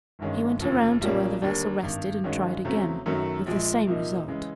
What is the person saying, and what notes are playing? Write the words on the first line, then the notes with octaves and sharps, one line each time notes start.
He went around to where the vessel rested and tried again, with the same result.
G1 G2 D#3 G#3 C#4
F1 D#2 C#3 F3
B1 A#2 G3 A#3 C#4
D#2 D3 G3 A#3
G#1 G2 D#3
G2 D#3 G#3 C#4 F#4
E2 C#3 F#3 A3 C4
F#2 D#3 F#3 A3
A#1 A#2 F3 G#3
C2 A#2 F3 A#3 D#4
C#3 E3 G#3